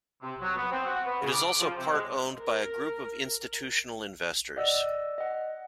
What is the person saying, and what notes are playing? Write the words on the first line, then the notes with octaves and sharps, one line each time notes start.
It is also part-owned by a group of institutional investors.
C3
F#3
B3
C4
F#4
B3
C#3
D6
F3
C3
G#3
A#4
D5 D#5 F#5 E6
D#5 F#5